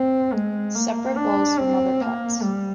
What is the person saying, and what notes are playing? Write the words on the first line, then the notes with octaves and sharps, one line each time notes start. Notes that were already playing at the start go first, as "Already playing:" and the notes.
Separate bowls from other pets.
Already playing: C4
G#3
A#3
D4
C4
A#3
G3